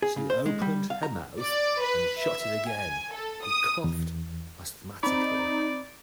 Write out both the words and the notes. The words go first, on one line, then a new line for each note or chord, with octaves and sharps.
She opened her mouth and shut it again; he coughed asthmatically.
G#4
C#3
C5
G#3
G3
F5
A#5
D5
B4
E5
G#5
A4
D#6
E2
C4 D#4 D5 B5